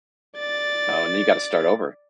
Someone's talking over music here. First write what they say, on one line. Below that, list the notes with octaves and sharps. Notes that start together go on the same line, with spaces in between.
Oh, and then you gotta start over.
D5 A6